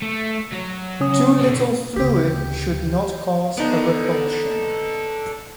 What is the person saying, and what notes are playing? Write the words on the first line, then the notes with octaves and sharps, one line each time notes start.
Too little fluid should not cause a repulsion.
A3
F#3
C#3 C#4 D#6
B2 D3
D2 C#3 G4
B3 D#4 A4 D5